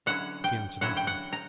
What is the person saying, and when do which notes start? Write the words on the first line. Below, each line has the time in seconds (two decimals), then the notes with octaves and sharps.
She answered nothing.
0.06 D3 F#3 C#4 E4 F#5
0.44 G5
0.81 D3 F#3 C#4 E4 F#5
0.97 G5
1.07 F#5
1.33 A#5